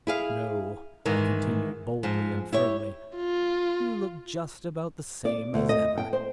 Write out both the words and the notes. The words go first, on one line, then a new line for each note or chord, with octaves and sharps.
"No," I continued boldly and firmly, "you look just about the same as ever."
E4 G#4 F5
G#2 D#3 E3
G#2 F3
E4 G4 C#5
F4
D5
D2
D#5
G5
C5